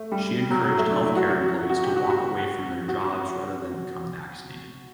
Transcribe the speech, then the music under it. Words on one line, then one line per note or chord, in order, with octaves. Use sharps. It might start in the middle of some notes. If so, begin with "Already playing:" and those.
She encouraged healthcare employees to walk away from their jobs rather than become vaccinated.
Already playing: A3
G3
F#3
F#3
A3
D4
E4
F#4
F#4
F#4
G4
F#4
F#4
F#4